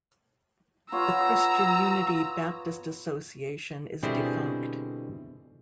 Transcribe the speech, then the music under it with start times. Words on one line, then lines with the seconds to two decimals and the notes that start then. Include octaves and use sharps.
The Christian Unity Baptist Association is defunct.
0.92 B3 F4 C#5 A#5 E6
4.03 B2 D3 G3 C4 E4 G#4